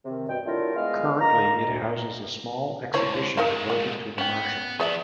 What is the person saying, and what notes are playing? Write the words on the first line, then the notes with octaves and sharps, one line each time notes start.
Currently it houses a small exhibition devoted to the Marshal.
C3 D#3
G2 B2 D#5 G5
F#3 A3 D4 E4 F4 A#4
G#3 B3 F4 D#5 F5
A#4 D#5 F5 A#5
D2 A#2
C#2 D3 E4 C5 C#5
G#3 A3 D#4 A#4 F5
A#3
B3 C#4 G5
F3 B3 G#4 D5 E5